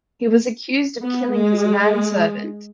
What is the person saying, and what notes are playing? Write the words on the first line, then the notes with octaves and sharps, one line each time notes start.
He was accused of killing his manservant.
B3
G#3